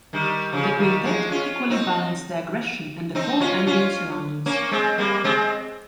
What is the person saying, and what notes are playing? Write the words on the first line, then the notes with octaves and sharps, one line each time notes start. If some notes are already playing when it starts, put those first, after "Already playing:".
The quintet equally balance the aggression and the cold ambient surroundings.
D#3 G3
C#3 F3
D#3 G3
F3 G#3
C#4 F4
C4 D#4
C4 D#4
C#4 F4
C#4 F4
A#3 C#4
G#3 C4
G3 A#3
G#3 C4